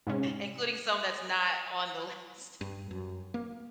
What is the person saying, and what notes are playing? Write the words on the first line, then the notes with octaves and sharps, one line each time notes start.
including some that's not on the list.
G#2 C3 C#4
G2
F#2
A#3